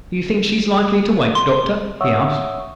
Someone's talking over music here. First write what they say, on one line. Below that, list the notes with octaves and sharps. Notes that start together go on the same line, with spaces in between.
"Do you think she is likely to wake, Doctor?" he asked.
C6
C#5 E5 F#5 C#6 D#6 E6